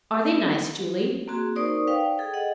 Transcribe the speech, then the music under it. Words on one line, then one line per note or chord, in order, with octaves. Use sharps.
"Are they nice, Julie?"
A#3 C4 F#4 G#4
D#4 A#4 C5 D5 C#6 D#6
B4 F5 G5 D#6
G#4 A4 G5
D#5 F#5